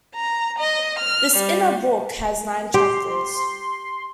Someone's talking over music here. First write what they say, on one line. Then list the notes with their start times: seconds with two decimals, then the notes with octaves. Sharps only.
This "inner" book has nine chapters.
0.16 A#5
0.59 D#5
1.00 F6
1.38 G3
2.74 G4 C6